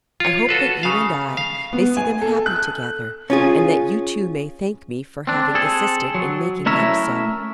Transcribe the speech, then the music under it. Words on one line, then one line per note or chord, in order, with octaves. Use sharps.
I hope that you and I may see them happy together, and that you too may thank me for having assisted in making them so.
F4 C#5
F#4 A4 B4
C#3 F5
F5
B3
G#5
A4
F#6
C#4 F4 G#4
C4 D4
C4 G#4 A4
F#3
A3 C#4 E4 A#4 C#5 E5